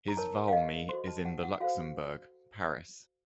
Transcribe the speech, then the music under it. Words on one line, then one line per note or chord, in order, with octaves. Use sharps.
His "V'almy" is in the Luxembourg, Paris.
A#5
D#4 A#4 C#5 A5
F5
D#5
F#4 A4 C5 C6
A5
F#5
F#5
F#4 A4 C5 F5